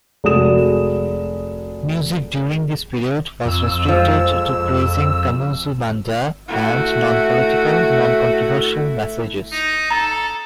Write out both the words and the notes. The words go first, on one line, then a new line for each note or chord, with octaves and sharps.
Music during this period was restricted to praising Kamuzu Banda and non-political, non-controversial messages.
F1 G#3 F#4 D#6 E7
F2 E6
F3 G#3
A3 E4 F#4
D#4
A4 A#5